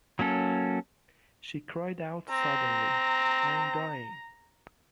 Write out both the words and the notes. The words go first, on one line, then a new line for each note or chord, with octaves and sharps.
She cried out suddenly, 'I'm dying!
F#3 A#3 C#4 A4
C4 A#5